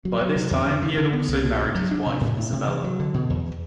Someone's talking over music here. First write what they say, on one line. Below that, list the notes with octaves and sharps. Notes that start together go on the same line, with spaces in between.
By this time he had also married his wife Isabella.
F#3
F#3
C3
E2
E3
E3
D3
B3
C2
B2
G2
F#3
D4
C3
A2
A2
C3
E3
F#3
D3
B2
E2